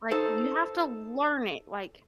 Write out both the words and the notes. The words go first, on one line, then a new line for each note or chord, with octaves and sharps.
Like, you have to learn it, like,
D#4 A4 C5